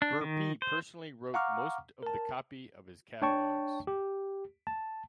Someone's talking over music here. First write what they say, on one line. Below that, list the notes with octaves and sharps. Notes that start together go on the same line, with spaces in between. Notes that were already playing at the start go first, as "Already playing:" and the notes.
Burpee personally wrote most of the copy of his catalogs.
D4
D#3
C5
F5 F#5 A#5 C#6 D6 F6
A#4 A5
D4 C#5 G5 A5 C#6
G4
A5